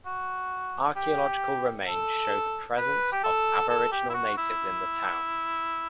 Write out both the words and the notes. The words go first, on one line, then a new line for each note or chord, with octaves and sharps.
Archaeological remains show the presence of aboriginal natives in the town.
F#4
G4
A4
B4
G4
A4
A4
G4
E4
F#4
E4